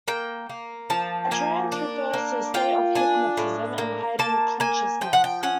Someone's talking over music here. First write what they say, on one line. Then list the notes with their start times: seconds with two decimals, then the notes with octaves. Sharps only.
A trance refers to a state of hypnotism and heightened consciousness.
0.08 A#3 G5
0.49 A#3
0.90 F3 A5
1.31 A#3 G#5
1.72 D4
2.13 A#3
2.54 F4 G5
2.95 D4 G#5
3.37 A2
3.78 A#3
4.19 A#3 A5
4.60 A#3 G#5
5.01 F3 G5
5.13 F#5
5.24 G5
5.43 C#4 F#5